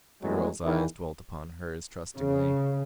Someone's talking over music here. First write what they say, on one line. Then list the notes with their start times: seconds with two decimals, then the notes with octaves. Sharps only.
The girl's eyes dwelt upon hers trustingly.
0.23 A1 E2 A2 F#3 G#3
0.64 E2 D#3 E3
2.17 C#3